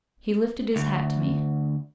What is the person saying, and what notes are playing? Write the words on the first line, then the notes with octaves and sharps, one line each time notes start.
He lifted his hat to me.
D2